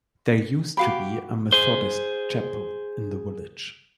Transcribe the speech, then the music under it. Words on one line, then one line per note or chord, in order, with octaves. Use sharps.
There used to be a Methodist Chapel in the village.
F#4 G4 F5 B5 D6
G#4 C5